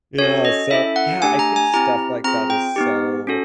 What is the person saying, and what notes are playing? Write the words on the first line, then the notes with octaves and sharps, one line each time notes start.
Yeah, so, yeah. I think stuff like that is so
C#4 F#4 A4 C#5
D#5
C#4 E4 A4 E5
F#5
A3 D4 G4 G#5
A#5
G#5
C4 E4 G4 A#5
C4 F4 G#4 A#5
G5
B3 D#4 G4
C#4 F#4 A4